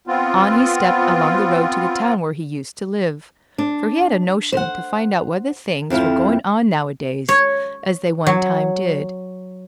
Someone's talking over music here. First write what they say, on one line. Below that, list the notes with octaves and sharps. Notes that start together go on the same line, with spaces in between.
On he stepped along the road to the town where he used to live, for he had a notion to find out whether things were going on nowadays as they one time did.
B3 C4 F4
D4
C5 F#5
F2 C4 E4 F4
C#5
F#3